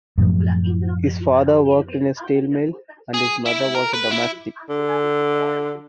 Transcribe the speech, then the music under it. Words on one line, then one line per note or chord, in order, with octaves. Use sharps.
His father worked in a steel mill and his mother was a domestic.
F#2 A2 F3
G#4
E4
A#4
B4
E4
D3